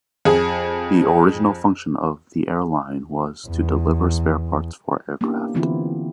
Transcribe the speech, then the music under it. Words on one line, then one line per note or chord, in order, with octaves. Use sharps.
The original function of the airline was to deliver spare parts for aircraft.
F2 G#4
E2
A#3 B3 C#4 D4 E4 G4
D3 E3 B3 C4 E4 F4